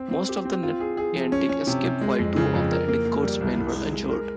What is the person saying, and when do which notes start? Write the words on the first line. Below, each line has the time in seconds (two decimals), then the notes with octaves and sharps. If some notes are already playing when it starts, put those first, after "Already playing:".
Most of the Niantic escaped, while two of Endecott's men were injured.
Already playing: C4
0.11 C4
0.29 G4
0.45 C4
0.63 F4
0.80 G#4
0.97 G#4
1.15 F3
1.32 C#4
1.49 C#4
1.67 C3
1.84 C3
2.01 G#3
2.19 F2
2.36 C#3
2.54 F2
2.72 A#4
2.88 A#3
3.05 A#3
3.22 G3
3.41 C2
3.58 C2
3.75 G#3
3.92 G#3
4.10 A#4